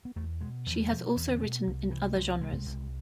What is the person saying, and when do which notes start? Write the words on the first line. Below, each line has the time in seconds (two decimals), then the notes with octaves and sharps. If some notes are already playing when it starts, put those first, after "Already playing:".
She has also written in other genres.
0.05 B3
0.16 E2 A3
0.40 B2 G#3
0.66 E2 F3
0.91 B2 F3
1.16 E2
1.28 D3
1.41 B2
1.67 C2
1.91 C3 E3
2.16 C2 F3
2.41 C3 G#3
2.66 C2